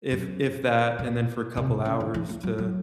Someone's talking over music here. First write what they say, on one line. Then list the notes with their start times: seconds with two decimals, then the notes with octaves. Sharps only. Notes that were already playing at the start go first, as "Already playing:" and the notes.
if if that, and then for a couple hours to,
0.11 F#2
0.99 B2
1.57 C3
1.85 C#3
2.00 D3
2.14 E3
2.29 F3
2.43 F#3
2.58 F#3